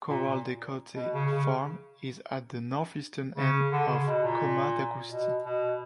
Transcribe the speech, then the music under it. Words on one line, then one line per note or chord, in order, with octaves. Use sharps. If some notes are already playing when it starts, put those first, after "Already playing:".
Corral de Cotet farm is at the north-eastern end of Coma d'Agustí.
A#2
B2
C#3
C#3
C#3
D3
C#3
B2
A#2
B2
B2